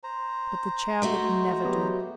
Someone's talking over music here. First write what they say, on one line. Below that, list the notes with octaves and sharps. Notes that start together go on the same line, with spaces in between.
But the chair would never do.
C5 A#5
G#3 A3 F#4
F#3 B3 G4